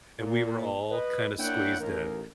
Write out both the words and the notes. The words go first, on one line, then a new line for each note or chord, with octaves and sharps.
and we were all, kinda squeezed in,
A#2
B4 D#5
A#3 D4 E4 C#5 F#5 G5
A1 D#2 A#4